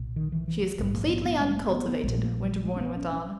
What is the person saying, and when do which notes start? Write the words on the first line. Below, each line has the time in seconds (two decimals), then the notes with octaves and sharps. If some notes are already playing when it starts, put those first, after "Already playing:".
"She is completely uncultivated," Winterbourne went on.
Already playing: B1 A#2
0.16 D#3
0.32 E3
0.48 E3
0.63 F#3
0.79 A#1 G#2 F#3
0.94 A#3
1.10 B3
1.25 B3
1.40 G#3
1.51 G#3
1.57 A#3
1.72 B3
1.88 B3
2.03 A#1 A#2 G#3
2.18 G#3
2.24 A#3
2.45 F#3
2.65 G#3
2.76 C#4
2.81 B3
2.97 C#4
3.13 C#4